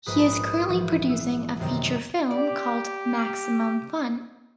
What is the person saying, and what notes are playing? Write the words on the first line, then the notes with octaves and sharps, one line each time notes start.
He is currently producing a feature-film called "Maximum Fun".
A#1 G#2 B4 C5 D#6 F#6
E3 F3
E6 F#6
F#2 C3 D#3 A#3 C4 D#4
G4 D5